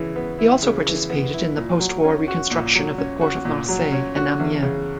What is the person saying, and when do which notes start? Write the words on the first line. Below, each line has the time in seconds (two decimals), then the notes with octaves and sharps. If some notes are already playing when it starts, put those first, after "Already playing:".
He also participated in the postwar reconstruction of the port of Marseille and Amiens.
Already playing: C#3 E3
0.16 B3
0.39 E4
0.63 C#3
0.87 E3
1.10 B3
1.34 E4
1.57 A#2
1.80 F#3
2.04 C#4
2.28 F#4
2.51 A#2
2.75 F#3
2.98 C#4
3.21 F#4
3.45 A#2
3.68 F#3
3.92 C#4
4.16 F#4
4.40 E2
4.62 C#3